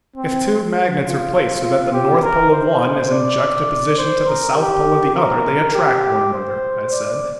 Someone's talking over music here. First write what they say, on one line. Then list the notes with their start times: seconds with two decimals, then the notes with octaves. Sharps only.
"If two magnets are placed so that the north pole of one is in juxtaposition to the south pole of the other, they attract one another," I said.
0.16 C4
1.05 F4
1.64 F4
1.93 G4
2.22 A#4
2.51 C5
3.10 D5
3.98 C5
4.27 A#4
4.56 G4
5.16 A#4
5.74 G4
6.33 C5
6.91 D5